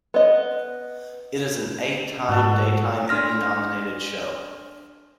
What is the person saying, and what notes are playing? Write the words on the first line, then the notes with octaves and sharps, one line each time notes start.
It is an eight-time Daytime Emmy nominated show.
B3 D#5
G#2 F#4 A4
D4 C6 F6 A#6